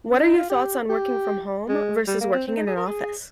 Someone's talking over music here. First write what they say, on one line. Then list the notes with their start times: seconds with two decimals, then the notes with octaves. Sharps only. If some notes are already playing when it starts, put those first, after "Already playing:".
what are your thoughts on working from home vs. working in an office?
0.10 C#4
0.24 D#4
0.37 F4
0.50 G4
0.89 G4
1.69 G#3
2.07 G3
2.21 A#3
2.34 C4
2.47 C4
2.57 D#4
2.67 G#4
2.76 A#4
2.86 G#4